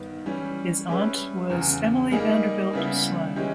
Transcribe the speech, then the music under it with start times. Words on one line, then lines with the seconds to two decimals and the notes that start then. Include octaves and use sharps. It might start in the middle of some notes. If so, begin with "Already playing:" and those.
His aunt was Emily Vanderbilt Sloane.
Already playing: G2 D#3 B3
0.26 E3 G3 C#4
0.88 G3 C#4 G#4 B4 E5
1.50 E2 C#3 E3
2.11 G3 A#3 D#4 G#4 D#5
2.73 C#3 G3 B3 E4
3.36 E3 G#3 C#4 G4